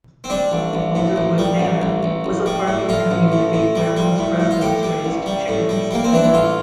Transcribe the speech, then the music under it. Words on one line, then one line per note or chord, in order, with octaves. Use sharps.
Alderwood Manor was a farming community where most residents raised chickens.
C4
G3 D4
A1
A1
A2
A1
G3
A1
A1
A1
A1
G3
A2
A2 F4
A1
A2
A2
G3
G3
A2
A2
F4
A2 G4
G3
A1
G3
A2
G3
G3 A#3
C4
E3 D4
E4
A1 F4